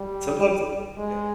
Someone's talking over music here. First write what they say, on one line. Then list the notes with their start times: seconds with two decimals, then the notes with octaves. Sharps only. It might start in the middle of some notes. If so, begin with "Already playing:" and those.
sometimes it yeah.
Already playing: G3
0.98 G#3